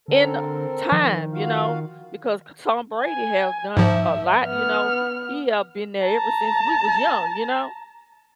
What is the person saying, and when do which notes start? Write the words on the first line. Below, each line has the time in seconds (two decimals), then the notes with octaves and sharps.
in a time, you know, because c Tom Brady have done a lot, you know? He have been there ever since we was young, you know?
0.08 D3 C4 A4 A#4
0.92 D#3 F3
1.33 F4 F#4 F5
3.04 G#5
3.77 G#2 F3 E5
4.45 B3 F6
6.05 A5 A#5